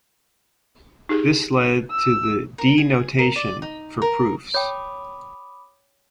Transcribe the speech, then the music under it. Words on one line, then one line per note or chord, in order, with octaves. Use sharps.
This led to the "D-notation" for proofs.
D#4 G4 G#4
E6
A#4
G#4
A#4
D5
D#4
A#4
C#5 G5 B5 D6 D#6